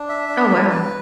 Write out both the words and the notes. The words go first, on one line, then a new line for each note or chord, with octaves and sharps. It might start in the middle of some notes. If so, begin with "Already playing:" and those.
Oh, wow.
Already playing: D4
E5
D4
B4
B4